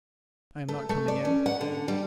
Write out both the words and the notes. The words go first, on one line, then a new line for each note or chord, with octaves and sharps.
I am not coming in.
A3
A3
D5
C#4
F#5
D3
G3